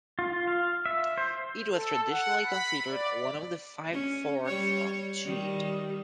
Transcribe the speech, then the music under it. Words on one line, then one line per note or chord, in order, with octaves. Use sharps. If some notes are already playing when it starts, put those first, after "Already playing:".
It was traditionally considered one of the five Forks of Cheat.
F4
F5
E5
C5
A4
F#5
B5
D5
C#4
G3 C#5
D#3 G3